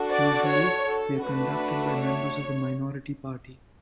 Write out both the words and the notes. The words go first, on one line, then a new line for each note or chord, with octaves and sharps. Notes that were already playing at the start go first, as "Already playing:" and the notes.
Usually, they are conducted by members of the minority party.
Already playing: D4 F#4 A4
D5
C#5
A4
A3 D4 F#4 B4
C#5